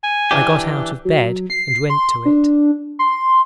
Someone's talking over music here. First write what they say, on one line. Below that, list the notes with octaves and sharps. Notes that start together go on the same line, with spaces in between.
I got out of bed and went to it.
G#5
E3 D4 G4
F#3
C7
C6
D4
C6